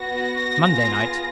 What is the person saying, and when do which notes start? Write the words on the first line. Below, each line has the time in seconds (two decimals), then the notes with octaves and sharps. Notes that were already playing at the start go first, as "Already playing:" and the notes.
Monday night?
Already playing: B3 F#4 A#6
0.65 B3 F4 G#4